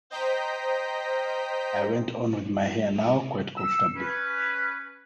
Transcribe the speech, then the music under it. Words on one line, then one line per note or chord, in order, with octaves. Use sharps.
I went on with my hair now, quite comfortably.
C5 D#5 G5 A#5 G6 B6
E6
C#4 B4